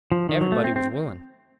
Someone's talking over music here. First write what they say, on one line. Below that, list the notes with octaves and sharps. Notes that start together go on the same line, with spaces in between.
Everybody was willing.
F3
D#3
F#3
A3
C4
C4